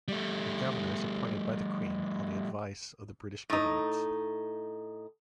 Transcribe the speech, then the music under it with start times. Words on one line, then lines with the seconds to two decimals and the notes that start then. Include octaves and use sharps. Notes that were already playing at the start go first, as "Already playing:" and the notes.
The governor is appointed by the Queen on the advice of the British government.
0.08 G3 A3
3.50 A2 D#4